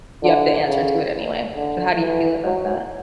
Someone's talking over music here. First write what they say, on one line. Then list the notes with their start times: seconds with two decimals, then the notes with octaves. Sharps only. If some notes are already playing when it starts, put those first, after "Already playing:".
you have to answer to it anyway. So how do you feel about that?
0.23 D3
0.66 C#3
1.55 D3
2.00 E3
2.45 F#3